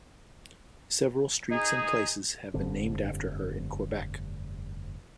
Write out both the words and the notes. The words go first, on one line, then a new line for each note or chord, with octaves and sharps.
Several streets and places have been named after her in Quebec.
D#4 G#4
F1 G2 D3 C4